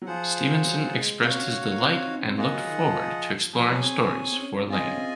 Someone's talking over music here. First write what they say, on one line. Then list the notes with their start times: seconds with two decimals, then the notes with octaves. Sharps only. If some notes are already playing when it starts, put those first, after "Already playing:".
Stevenson expressed his delight and looked forward to exploring stories for Iain.
0.02 F#3
0.06 F3 F4 G#4 C5 F#5
0.65 F#3
0.86 F#3
0.93 G#3
1.22 C4 F#4 C#5 F5
1.37 C#4
1.65 A#3
1.80 C4
1.93 F4
2.05 D#4
2.15 C#4
2.27 C4
2.37 A#3 F4 G#4 D#5 F#5
2.52 F#3
2.67 D#3
2.81 F3
3.53 F3 G#4 C#5 G#5
3.68 F#3
3.82 C4
4.32 C4
4.40 C#4
4.69 C4 F4 G#4 D#5 G#5
4.84 C#4
4.96 C4